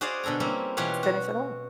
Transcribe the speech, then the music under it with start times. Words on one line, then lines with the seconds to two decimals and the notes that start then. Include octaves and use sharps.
finish at home.
0.01 F#4 G#4 C5 D5 D#5 F5
0.23 B2 D3 A4 G#5 A#5
0.40 G3 A#3 C4 C#4 E4
0.77 B2 E3 F4 G4 C#5 F#5
1.03 F#4